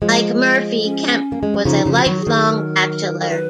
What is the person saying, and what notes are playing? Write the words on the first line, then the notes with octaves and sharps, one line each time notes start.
Like Murphy, Kemp was a lifelong bachelor.
F3 G#3
C#4
A#3
G#3
F#3
C#3 F3 D#4
C#3 F3
F#4
D#3 F#3
G#4
D#3 F#3
A#4
A#4
B4